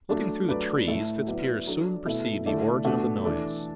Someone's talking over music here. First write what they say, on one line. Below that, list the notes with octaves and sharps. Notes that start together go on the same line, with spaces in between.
Looking through the trees Fitzpiers soon perceived the origin of the noise.
F#3 A3 D4
F#3 A3 D4 B4 D5
A2 A3 E4 A4
F#3 B3 E4 B4 D5
F#3 D4 A4 D5
B2 A3 E4 A4
D3 A3 E4 D5
B2 A3 D4 F#4
E3 D4 A4 D5